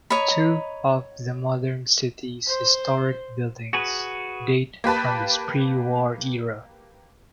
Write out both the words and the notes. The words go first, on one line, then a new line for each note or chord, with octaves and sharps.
Two of the modern city's historic buildings date from this prewar era.
C#5 D#5 A#5 B5
C5
F#4 G#4 B4
A#3 G4 B4 A5